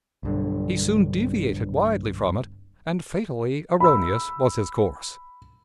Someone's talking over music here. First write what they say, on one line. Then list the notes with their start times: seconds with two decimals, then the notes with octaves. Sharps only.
He soon deviated widely from it--and fatally erroneous was his course.
0.23 B1 G2 D3
3.80 B5 E6